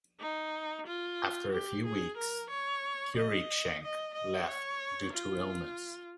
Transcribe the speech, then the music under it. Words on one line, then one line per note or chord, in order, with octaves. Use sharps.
After a few weeks, Cruikshank left due to illness.
D#4
F4
G4
G#4
A#4
C#5
D#5
D#5
D#5
C#5
F4